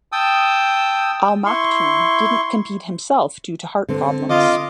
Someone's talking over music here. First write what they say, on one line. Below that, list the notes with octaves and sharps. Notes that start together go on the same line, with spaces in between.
Al Maktoum didn't compete himself due to heart problems.
G5 A5 D#6 E6
E4 C6 C#6
D3 C4
F4 D#5 D6